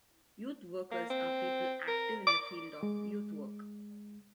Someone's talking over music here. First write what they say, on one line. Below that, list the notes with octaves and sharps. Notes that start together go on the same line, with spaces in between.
Youth workers are people active in the field of youth work.
A#3
C4
A#4
D6
G#3